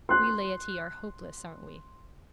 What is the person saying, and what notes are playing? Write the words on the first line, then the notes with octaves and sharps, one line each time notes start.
'We laity are hopeless, aren't we?
C6 F#6